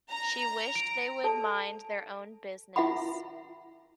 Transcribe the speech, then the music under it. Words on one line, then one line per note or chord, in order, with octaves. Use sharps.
She wished they would mind their own business.
A#5
D7
A4 D5 A5
E4 E5 F#5 B5